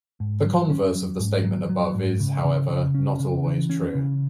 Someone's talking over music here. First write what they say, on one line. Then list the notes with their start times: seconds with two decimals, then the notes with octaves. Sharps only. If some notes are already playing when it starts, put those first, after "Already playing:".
The converse of the statement above is, however, not always true.
0.20 G#2
0.46 F#3
0.70 C#4
0.95 F#3
1.20 G#2
1.45 F#3
1.69 F#3
1.95 G#2
2.20 C#3
2.45 C#3
2.70 C#3
2.94 C#4
3.20 C#3
3.45 E3
3.70 C#4
3.95 C#3